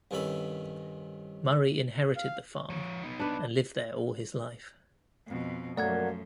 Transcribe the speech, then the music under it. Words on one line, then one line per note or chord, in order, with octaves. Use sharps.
Murray inherited the farm and lived there all his life.
C2 G2 D#3 C#4 A4 B5
F5
F3 C#5
B3 D#4
D4 B4
F2 B2
F#2 F3 F#3 A3 A#3 D5 F#5 G#6